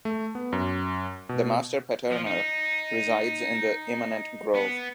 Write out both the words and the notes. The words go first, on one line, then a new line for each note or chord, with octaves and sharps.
The Master Patterner resides in the Immanent Grove.
A3
B3
F#2
B2
F3
D#4
B3